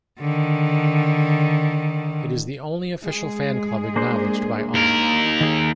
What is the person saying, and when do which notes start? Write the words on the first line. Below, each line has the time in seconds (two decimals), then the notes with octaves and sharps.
It is the only official fan club acknowledged by Aw.
0.20 D3 D#3
3.03 G#3 G#4
3.96 A#3 D4 C5
4.75 D#2 A#4
5.41 D#3 G#4